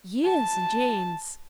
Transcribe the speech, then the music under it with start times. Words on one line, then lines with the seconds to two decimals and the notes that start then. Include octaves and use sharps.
Yes, James.
0.25 A5